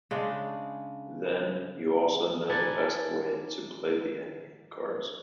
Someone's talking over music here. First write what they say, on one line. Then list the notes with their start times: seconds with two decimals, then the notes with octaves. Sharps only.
Then you also know the best way to play the endgame cards.
0.11 C#3 G#3 D4
2.50 A#4 D5 F#5 G#5 A5 B5